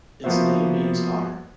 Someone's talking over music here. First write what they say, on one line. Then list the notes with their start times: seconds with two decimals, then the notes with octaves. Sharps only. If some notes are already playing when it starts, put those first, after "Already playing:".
Its name means "otter".
0.24 F3 A#3 B3 F#4 C5 E5